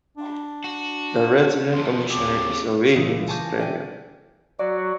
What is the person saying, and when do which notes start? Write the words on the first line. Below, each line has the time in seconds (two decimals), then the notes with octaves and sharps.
The Resident Commissioner is away in Australia.
0.17 D4
0.64 F#4
1.72 E2 F3 C6
2.10 D#2 C4 G#4 A4 D6
2.95 C#2 A#2 E3 D#6 D7
3.28 G#5 A5 C#6 D6 G6 A#6
3.58 D5 E5 G5 G#5
4.59 F#3 F#4 D5